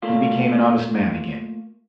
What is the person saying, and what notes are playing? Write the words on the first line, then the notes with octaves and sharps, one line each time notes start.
"He became an honest man again!"
A3 A#3 F4